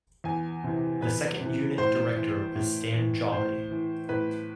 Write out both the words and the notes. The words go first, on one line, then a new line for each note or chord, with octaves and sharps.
The second unit director was Stan Jolley.
E2 G#5
C3 E3
E2 B4
C3 E3
A2 C5
E3
A2
E3
A2 C5
E3
A2 B4